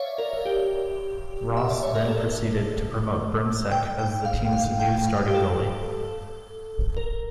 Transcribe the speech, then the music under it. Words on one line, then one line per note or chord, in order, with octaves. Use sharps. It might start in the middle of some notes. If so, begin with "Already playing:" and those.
Ross then proceeded to promote Brimsek as the team's new starting goalie.
Already playing: C#5 D5 E5 F5
A#4
G4
E5
D5
C#5
A#4
A4
G5
G5
F5
F5
G5
F5
G4
A4
A#4